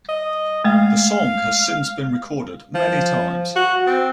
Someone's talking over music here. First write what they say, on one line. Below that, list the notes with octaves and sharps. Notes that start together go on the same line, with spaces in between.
The song has since been recorded many times.
D#5
G#3 A3 F5
F3
F#4
C4